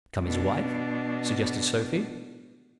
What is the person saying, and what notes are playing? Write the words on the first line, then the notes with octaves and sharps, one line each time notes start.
"Become his wife?" suggested Sophie.
B2 D4